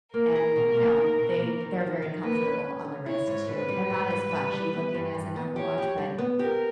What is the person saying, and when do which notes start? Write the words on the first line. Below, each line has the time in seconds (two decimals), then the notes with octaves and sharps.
and, you know, they they're very comfortable on the wrist too. They're not as flashy looking as an Apple Watch, but,
0.14 A#3 A#4
0.35 G#4
0.56 B2
0.76 A#3
0.97 D#4
1.19 B2
1.39 A#3
1.61 D#3
1.80 D#3
2.02 D#3
2.23 A#3 B4
2.44 C#4
2.64 C#4
2.85 C#4
3.06 E4 C#5
3.27 G#2
3.47 G#2 B4
3.69 G3
3.90 G#2
4.10 G3
4.31 G3
4.53 G3
4.73 B3
4.94 G2
5.14 G2
5.36 B3
5.56 G4 C#5
5.78 G4
5.98 G3
6.18 B3
6.39 G4 A#4